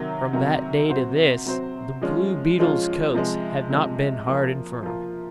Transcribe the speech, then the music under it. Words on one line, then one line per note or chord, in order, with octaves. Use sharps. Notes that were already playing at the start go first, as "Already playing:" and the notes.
From that day to this the blue beetles' coats have not been hard and firm.
Already playing: C3 D#3 F#3
C3 D#3 F#3
C3 F#3 C4 F#4 C5
C3 F#3 C4 F#4 C5
F3 G#3 C#4 F4
F3 G#3 C#4 F4
C3 F3 G#3
C3 F3 G#3
F3 A#3 F4
F3 A#3 F4